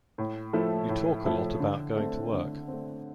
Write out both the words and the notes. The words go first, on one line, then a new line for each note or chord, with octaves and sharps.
You talk a lot about going to work.
A2
F3 A3 E4 A4
A2
F3 A3 E4 A4
D3
A3 C4
D3
A3 C4